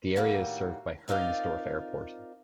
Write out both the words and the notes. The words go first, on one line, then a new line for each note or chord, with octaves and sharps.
The area is served by Heringsdorf Airport.
A2 D#3 G3 A#3 F#4
C4 D#4 F4 A#4 D5